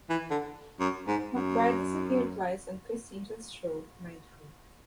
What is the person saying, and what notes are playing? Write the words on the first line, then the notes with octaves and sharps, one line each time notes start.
McBride has appeared twice on Criss Angel's show MindFreak.
E3
D3
F#2
G#2
F#2